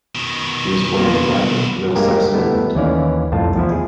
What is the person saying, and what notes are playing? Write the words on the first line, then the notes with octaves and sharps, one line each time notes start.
He was born in Wapping, Middlesex, England.
B2 D#3
G2 A#3 B3 D4 F4
G2 G#3 A#3 G4 A#4
G3 A3 B3 E4
D#2 E3 C#4 D5 F5
C2 F2 A2 F4 A5
E2 F3 E4
G#4